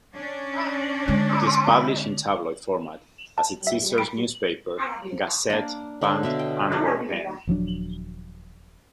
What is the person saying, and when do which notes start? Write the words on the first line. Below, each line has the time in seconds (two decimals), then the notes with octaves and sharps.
It is published in tabloid format as its sister newspaper "Gazet van Antwerpen".
0.15 C#4 D4
1.08 D3 G#3
3.38 A5
3.67 E5
3.98 D7
5.50 A#3 D4
6.01 D3 D4 C5 C#5
6.23 B2 E5 F5
6.39 G5
6.72 G#3 D4
7.47 D#1 F3 F#3 D4